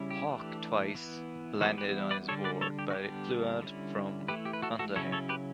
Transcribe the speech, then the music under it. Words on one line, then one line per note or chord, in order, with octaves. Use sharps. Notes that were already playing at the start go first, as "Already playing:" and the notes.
Hawk twice landed on his board, but it flew out from under him.
Already playing: C#3 G3 C#4 E4
G4
E3 A3 D4
E3 B3 E4
E3 G3 B3 E4 F#4 A4
G4 B4
B4 D5
D3 G3 D4 A4 C#5
B4 D5
A4 C#5
G4
F#4
D3 G3 B3 D4 G4
D3 G3 C#4 E4
E3 A3 E4 G4 B4
G4
B4
F#4 A4
F#4 A4
C#3 F#3 C#4 E4 A4 C#5
A4 C#5
G4 B4